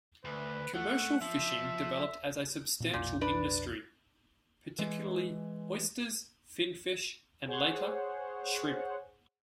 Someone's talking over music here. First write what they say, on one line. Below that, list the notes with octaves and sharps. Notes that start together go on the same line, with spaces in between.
Commercial fishing developed as a substantial industry, particularly oysters, finfish, and later, shrimp.
D2 B4
A3 F#5
F3 E5
A#2 A#3 C4
B1 F2 A#2
D4 B4
E3 G#3
G#4 C5 C#5 F#5